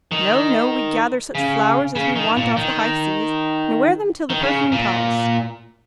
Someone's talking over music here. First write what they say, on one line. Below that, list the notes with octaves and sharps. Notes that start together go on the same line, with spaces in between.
No, no! we gather such flowers as we want off the high seas, and wear them till the perfume palls.
D#3
C#3
C#3
D#3
A#2
D#3
D#3
C#3
A#2